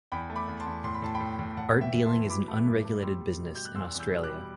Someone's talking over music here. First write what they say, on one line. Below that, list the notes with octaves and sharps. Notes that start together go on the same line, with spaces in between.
Art dealing is an unregulated business in Australia.
E2 G5 B5
A3
B5 D6
E2
A5 C6
E2
A2 C6
B5
A2 A5
G5 B5
A2
A2
A2 F#5 A5
E3
E5 G5
A2
A5 C6
E3
F#3 B5 D6
A3
G2
A3
G3 C6 E6
G3
B2
G3 G6
F#6
E2 C6 E6
E2
E6 G6
B2
D6 F#6
G3